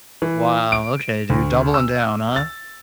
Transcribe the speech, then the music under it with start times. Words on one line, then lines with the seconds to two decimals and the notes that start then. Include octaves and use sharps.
Wow, okay, dude, doubling down, huh?
0.22 E3
0.72 D7
1.30 D2
1.74 E6
2.36 A6